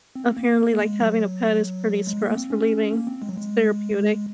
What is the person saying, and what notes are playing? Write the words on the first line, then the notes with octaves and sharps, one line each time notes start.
apparently, like, having a pet is pretty stress relieving. It's therapeutic.
C4
A#3
G#3
F#3
G#3
A#3
C4
C#4
A#3
C4
G#3
F#3
G#3